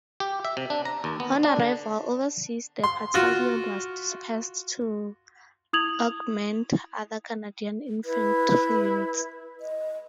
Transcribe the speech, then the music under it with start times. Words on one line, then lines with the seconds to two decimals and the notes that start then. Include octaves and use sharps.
On arrival overseas the battalion was dispersed to augment other Canadian infantry units.
0.20 G4
0.45 E5
0.57 C3
0.70 D4
0.85 A#5
1.04 D#2
1.20 B3
1.43 D4
1.60 D3
2.84 C6
3.14 F4 F#4
5.73 E4 D#6 G#6 F7 F#7
8.05 E4 B4
9.61 D#5